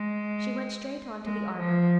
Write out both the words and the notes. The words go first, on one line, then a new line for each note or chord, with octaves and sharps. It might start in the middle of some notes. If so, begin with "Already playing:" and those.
She went straight on to the arbor.
Already playing: G#3
G#3
F3